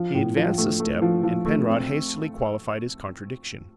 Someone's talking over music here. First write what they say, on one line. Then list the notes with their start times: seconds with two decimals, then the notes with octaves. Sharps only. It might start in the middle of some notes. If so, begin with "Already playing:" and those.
He advanced a step and Penrod hastily qualified his contradiction.
Already playing: F3
0.14 A2
0.36 F3
0.58 A3
0.80 A3
1.02 F3
1.23 F3
1.46 A3
1.67 C4